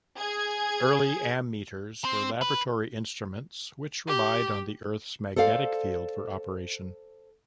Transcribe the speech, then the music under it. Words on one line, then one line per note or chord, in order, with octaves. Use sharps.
Early ammeters were laboratory instruments which relied on the Earth's magnetic field for operation.
G#4 G#6
C4
B4
G4
A4 C5 D5 F5